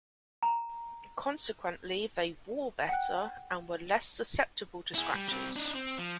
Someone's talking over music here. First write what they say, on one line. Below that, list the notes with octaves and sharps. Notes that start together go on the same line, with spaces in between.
Consequently, they "wore" better, and were less susceptible to scratches.
A#5
F#5 G5 F#6
E4 G#4
G3
G3 C4
D4 D#4
C4
F3